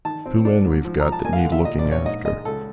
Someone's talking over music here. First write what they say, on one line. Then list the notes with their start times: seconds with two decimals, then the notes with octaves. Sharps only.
"Two men we've got that need looking after."
0.05 D#3 A5
0.26 C4
0.45 D4
0.65 G#2
0.85 F3
1.00 A#5
1.05 F3
1.12 A5
1.25 A#3 G#5
1.33 F5
1.38 F#5
1.45 D3
1.52 E5
1.65 A#2 D#5
1.79 D5
1.85 A#1
1.92 C#5
2.05 G#2 D#5
2.25 G#3 D#5
2.45 C#2 A4